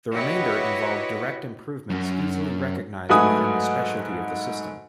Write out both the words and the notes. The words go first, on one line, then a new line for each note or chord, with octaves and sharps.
The remainder involved direct improvements easily recognized within the specialty of the system.
E4 F#4 G4 B4 C#5 D#5
F#2
G#2 F#3 A3 B4 G#5 D#6